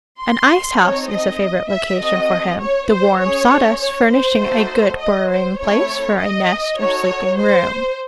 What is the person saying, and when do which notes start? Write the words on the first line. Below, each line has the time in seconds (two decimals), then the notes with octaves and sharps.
An ice-house is a favorite location for him, the warm sawdust furnishing a good burrowing place for a nest or sleeping room.
0.20 C6
0.80 C4 D#4 A4 C#5
1.11 D#5
1.70 E5
2.00 C4 F#4 A4 D#5
2.60 C#5
2.91 C5
3.20 C#4 G#4 C#5
3.80 C#5
4.10 C5
4.40 A3 D#4 F#4 A4
5.00 D#5
5.30 C5
5.60 A3 C4 E4 A4 C#5
6.20 D#5
6.79 D#4 F#4 A4 C#5
7.39 C5